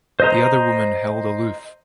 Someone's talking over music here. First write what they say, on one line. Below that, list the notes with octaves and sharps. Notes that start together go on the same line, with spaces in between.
The other woman held aloof.
C5 D#5 A#5